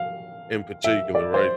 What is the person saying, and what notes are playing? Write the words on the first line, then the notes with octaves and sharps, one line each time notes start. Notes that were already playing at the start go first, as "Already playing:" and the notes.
in particular, right?
Already playing: F5
E5
D5
C5